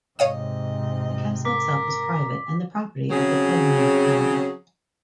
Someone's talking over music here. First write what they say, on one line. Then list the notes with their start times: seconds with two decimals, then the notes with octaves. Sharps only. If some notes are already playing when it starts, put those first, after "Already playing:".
The castle itself is private and the property of the Polignac family.
0.19 G#2 C3 C#5 D#5 F5 D#6
1.45 A#4 D6 B6
3.11 C#3 F#3 C4 G#4